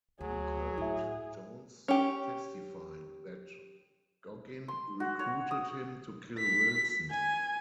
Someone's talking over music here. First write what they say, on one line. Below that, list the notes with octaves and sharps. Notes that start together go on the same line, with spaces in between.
In court, Jones testified that Goggin recruited him to kill Wilson.
D2 F#3 G#4
A2 E4 E5
C#4 G4
C6
F#4
C#5
D#6
B6
G#5